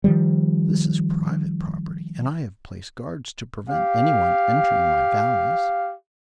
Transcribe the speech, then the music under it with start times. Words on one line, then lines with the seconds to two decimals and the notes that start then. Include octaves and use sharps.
"This is private property, and I have placed guards to prevent anyone entering my Valleys."
0.04 D#3 F3 G3
3.68 G4 F5